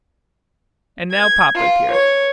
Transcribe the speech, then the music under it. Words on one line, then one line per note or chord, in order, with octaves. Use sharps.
And now Papa appeared.
G#6
F4
C#5